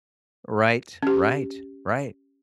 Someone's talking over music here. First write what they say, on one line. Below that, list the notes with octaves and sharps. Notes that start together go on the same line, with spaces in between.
Right, right, right.
C#4 G4